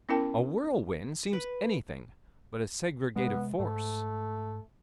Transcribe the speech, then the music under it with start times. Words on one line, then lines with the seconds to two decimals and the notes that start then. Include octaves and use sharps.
A whirlwind seems anything but a segregative force.
0.09 B3 C#4 E4 A#4 G5 A5
1.33 B4
3.16 C3 G#3 B3
3.60 G#2 A3